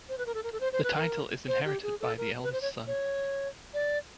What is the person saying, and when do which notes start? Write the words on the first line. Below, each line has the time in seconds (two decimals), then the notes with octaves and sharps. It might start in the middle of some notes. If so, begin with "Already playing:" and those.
The title is inherited by the eldest son.
0.09 C5
0.18 B4
0.26 A#4
0.34 A4
0.44 A#4
0.53 A4
0.60 C5
0.73 C5
0.84 B4
0.95 A#4
1.48 C5
1.65 G4
1.83 G#4
2.00 A4
2.18 A#4
2.43 B4
2.52 C5
2.62 C#5
2.87 C#5
3.74 D5